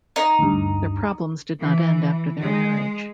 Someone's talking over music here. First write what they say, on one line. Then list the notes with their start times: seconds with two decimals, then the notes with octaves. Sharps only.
Their problems did not end after their marriage.
0.16 D#4
0.39 D2 G2
1.59 E3
2.40 G#3